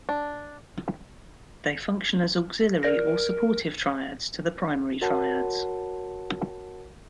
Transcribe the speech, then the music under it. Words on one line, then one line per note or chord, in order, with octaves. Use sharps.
They function as auxiliary or supportive triads to the primary triads.
D4
A#4 D5 A#6
F#4 A#4 C#5 F#5 A5 B5